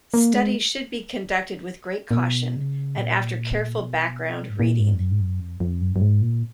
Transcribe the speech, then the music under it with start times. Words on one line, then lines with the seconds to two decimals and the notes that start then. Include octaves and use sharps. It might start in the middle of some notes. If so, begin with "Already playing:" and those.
Studies should be conducted with great caution, and after careful background reading.
0.14 A#3
0.33 G#3
2.11 A#2
2.17 B2
2.56 C#3
2.97 A#2
3.78 B2
4.49 G#2
4.60 A#2
4.79 G#2
4.93 F2
5.00 F#2
5.11 G#2
5.20 F#2
5.40 F2
5.60 F2
5.81 F#2
5.96 F#2
6.01 G#2
6.22 A#2